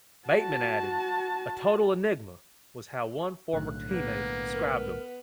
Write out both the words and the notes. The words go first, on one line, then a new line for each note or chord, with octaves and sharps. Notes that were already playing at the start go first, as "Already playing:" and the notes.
Bateman added, "'A total enigma' was how one former team-mate described him".
F#4 A5
B1 A2 D3 F#6
A#3 B3
A#4